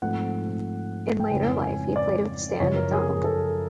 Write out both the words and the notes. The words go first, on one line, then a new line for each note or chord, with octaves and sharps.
In later life he played with Stan McDonald.
G#2 F3 A3 C4 F#5
G5
F2 C#3 E3 G#3 G#5
G#5
D5
F#2 C#3 F3 C#5
A#4
G#4
G#4
A4